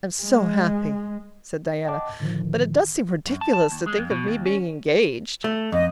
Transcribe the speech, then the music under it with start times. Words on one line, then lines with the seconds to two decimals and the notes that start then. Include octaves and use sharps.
"I'm so happy," said Diana, "but it does seem ridiculous to think of me being engaged."
0.23 G#3
1.85 D#5 F#5 G5 A5 D6
2.20 A2 D3 D#3 F3
3.26 F#2
3.41 A5
3.53 A5
3.72 D#2
3.86 G#3
3.98 F2
4.10 B2
4.28 D#2
4.46 C#4
5.44 A3
5.72 F2 D#5